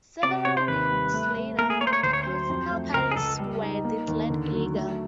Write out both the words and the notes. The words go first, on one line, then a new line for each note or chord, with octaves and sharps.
Several weeks later, political parties were declared illegal.
C3 D5
C3 C#5
C5
D#2 B4
G3
A3
A3
A#3 A#4
G#4
A#3 C#5
C5
C#5
D2 C5
C#5
F#3 C5
F2
A3
C#2 A#4
G#4
C#2 A4
G3
D#4
A#3
D#2
D3
F#3
A3